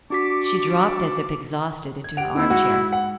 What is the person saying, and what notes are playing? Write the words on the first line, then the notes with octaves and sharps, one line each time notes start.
She dropped as if exhausted into her armchair.
D4 F#4 A5 C#6 D6 B6
G#6
G4 F#5 D7 F7
D#2 C4 D#4 E4
G#2 F#4 C#7
F#5